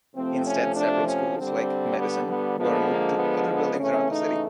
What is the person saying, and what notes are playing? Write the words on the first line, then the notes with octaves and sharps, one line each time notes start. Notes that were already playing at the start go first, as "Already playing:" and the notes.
Instead several schools, like Medicine, were moved to other buildings around the city.
C3 F3 A3 C4
C#4
D4
C#4
D3 G3 C4
B3
B3
D3 F3 G#3 B3
A#3
B3
B3
C#3 E3 A3 C#4
D#4